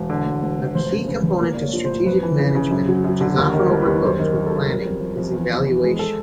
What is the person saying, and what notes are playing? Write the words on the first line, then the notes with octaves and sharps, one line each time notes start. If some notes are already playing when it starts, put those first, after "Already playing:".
A key component to strategic management which is often overlooked when planning is evaluation.
Already playing: E1
D3
E1
E1
E1
F1 C5
C#3
C#3 B4
F1
A#3 A#4
A#3 D5
C#5
F3
C5
A2
F2 B4
E3
C#3
C#3
F#2
F#3
F#2
D3
D#2 A#4
D#3
A#4
G3
B4
D#2
F#2 C5
D#3 A#4
F#2
F#2 A4
G3 A#4
F2
F2
F2
E2
E2
E3
G#3
A4